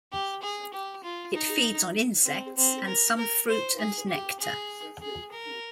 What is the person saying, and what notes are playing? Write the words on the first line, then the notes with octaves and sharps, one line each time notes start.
It feeds on insects and some fruit and nectar.
G4
G#4
G4
F4
D#4
C4
C4
A#4
A#4
C5
G#4
G4
G#4
G#4
A#4